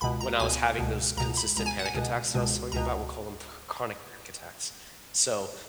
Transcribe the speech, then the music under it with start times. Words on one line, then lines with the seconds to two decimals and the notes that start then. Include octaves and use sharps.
when I was having those consistent panic attacks that I was telling you about, we'll call them chr chronic panic attacks, so,
0.01 C#2 B2 B5
0.21 A#5
0.40 C#2 B2 G#5
0.78 C#2 B2
1.17 C#2 A#5
1.20 B2
1.37 B5
1.57 C#2 B2 A#5
1.66 G#5
1.79 F#5
1.85 G#5
1.94 C#2 B2
2.34 C#2 B2
2.72 C#2 B2 A#5